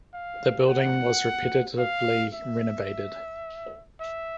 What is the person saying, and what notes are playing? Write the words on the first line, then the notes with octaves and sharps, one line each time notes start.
The building was repeatedly renovated.
F5
F#5
F5
E5
E5